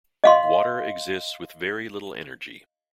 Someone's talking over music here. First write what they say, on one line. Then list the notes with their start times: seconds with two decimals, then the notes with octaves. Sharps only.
Water exits with very little energy.
0.24 D#5 F5 C6